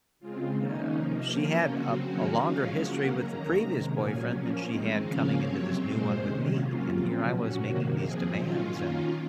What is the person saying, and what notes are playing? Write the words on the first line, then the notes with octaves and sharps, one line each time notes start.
uh, she had a a longer history with the previous boyfriend than she had coming into this new one with me, and here I was making these demands and,
C#3 G#3 C4 F4
D#3 A#3 C#4 D#4
C3 F3 A#3
F3 A#3 C#4 F4
C#3 F#3 C4 F#4
D#3 F#3 A#3 C#4 F#4
F3 G#3 C#4 F5
C#3 F#3 A#3 C#4 F#5
D#3 A#3 C#4 A#5
C3 D#3 G#3
A#2 F#3 A#3 C#4 G#5
F3 A#3 C#4
D#3 G#3 C4
C#3 F3 A#3 C#4 F5
C3 F#3 C4 C#5
A#2 G#3 C4 C5
C3 D#3 G#3 C#4
C3 F#3 A#3 C#4 F4
C#3 F3 C4
A#2 F#3 C#4 F#4
C3 D#3 A#3
A#2 F3 C4 G#4
D#3 F#3 C#4 F4
D#3 A#3 C#4